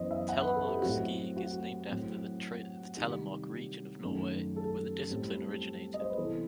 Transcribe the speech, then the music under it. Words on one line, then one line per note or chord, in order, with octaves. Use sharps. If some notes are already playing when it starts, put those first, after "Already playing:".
Telemark skiing is named after the Telemark region of Norway, where the discipline originated.
Already playing: F#2 E3 B3 C5 D#5
E5
F#5
B4
A4
G4
A2 F#3 C4 F#4
F#4
A2 F#3 C4
C3 D#3 G3 G4
F#2 D#3 F#3 A3
A4
A2 G3 C4
D#5
C5
B4
C3 E3 B3 A4